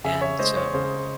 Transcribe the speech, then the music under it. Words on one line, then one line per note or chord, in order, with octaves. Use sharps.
And so
C#3 E5 G#5
C#5 E5
G#3 C5 D#5
C#5
C#3 C5